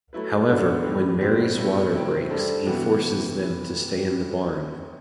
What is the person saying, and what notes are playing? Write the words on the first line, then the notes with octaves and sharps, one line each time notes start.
However, when Mary's water breaks, he forces them to stay in the barn.
F#3 A3 E4 B4
D3 F#3 B3 D4
A2 E3 G3
B2 G3 C4 F#4 C5
A2 F#3 B3
C3 F#3 C4 E4
G3 D4 A4 C5
C3 E3 B3 F#4